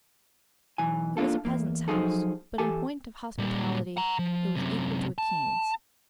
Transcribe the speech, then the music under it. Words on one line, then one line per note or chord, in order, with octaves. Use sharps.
It was a peasant's house, but in point of hospitality it was equal to a king's.
B1 E3 G#5
A#3 D4 F4 A4
E2 A#3
F3 F#3 D#4 F4 G#4 A4
E2 G4 A4 G#5 A5
A#2 G3
F#5 A#5
F3
F#2 C3
A5